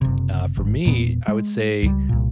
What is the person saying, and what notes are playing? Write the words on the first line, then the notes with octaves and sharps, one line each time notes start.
Uh, for me, I would say
F#1 C3
G#1
E1 A#2 A3 B3
G#3
C#2 G3
C2 A#2